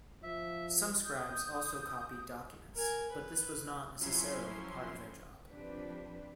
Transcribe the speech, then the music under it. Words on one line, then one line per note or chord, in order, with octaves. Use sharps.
Some scribes also copied documents, but this was not necessarily part of their job.
F3 E5
D#6 G6
A#4 G#5
B4
F3 F#3 C#4 E4 C6
F3 C4 D4 G4 B4